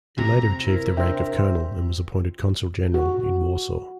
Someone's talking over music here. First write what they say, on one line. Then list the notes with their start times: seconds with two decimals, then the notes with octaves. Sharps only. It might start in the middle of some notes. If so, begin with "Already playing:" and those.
He later achieved the rank of colonel and was appointed Consul-General in Warsaw.
0.18 C3 A#5
0.63 E4 A#4
0.97 D4 A#4 C5 E5 G5
2.94 F#4